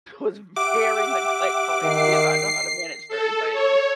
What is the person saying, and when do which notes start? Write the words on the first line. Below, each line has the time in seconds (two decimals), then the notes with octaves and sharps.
was very neglectful and did not know how to manage certain things.
0.56 G4 E5 F#5 D6
1.83 D#3 C7
3.08 A4
3.52 C#5